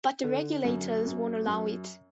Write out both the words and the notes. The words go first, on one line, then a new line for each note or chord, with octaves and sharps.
But the regulators won't allow it.
D3
F#2
F#2
F#2